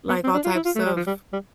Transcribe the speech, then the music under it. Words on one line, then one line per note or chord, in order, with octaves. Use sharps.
like, all types of
B3
C4
D4
F4
E4
F4
A3
G3
F3
G3
G3